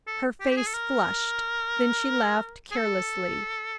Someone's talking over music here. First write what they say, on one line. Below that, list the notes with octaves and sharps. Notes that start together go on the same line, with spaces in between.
Her face flushed, then she laughed carelessly.
A4
G4
G4
G#4
A4
A#4
G#4
A4